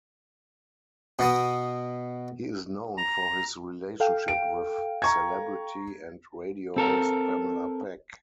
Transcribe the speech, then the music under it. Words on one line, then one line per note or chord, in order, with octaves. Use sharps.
He is known for his relationship with celebrity and radio host Pamela Peck.
B2 B3 D#6
A#5
A4 F5 G5
D7
A#5 C#6 G#6
C4 A4 A#4